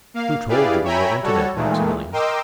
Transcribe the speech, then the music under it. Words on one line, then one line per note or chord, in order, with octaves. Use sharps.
"Who told you we were intimate, Maximilian?"
A#3 F5
E4 G4 G#4 B4 D5 F5
C#5 E5 G5 G#5 A#5 B5
G3 F#4 A4 C#5
A#2 D#3 E3 G#3 A3
A#4 D#5 G5 C6 D6 E6